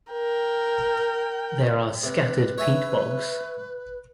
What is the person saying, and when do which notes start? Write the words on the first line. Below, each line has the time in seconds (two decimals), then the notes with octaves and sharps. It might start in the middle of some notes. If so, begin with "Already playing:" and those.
There are scattered peat bogs.
0.12 A#4 G5
2.03 C3 B4
2.58 C#5 E5 G#5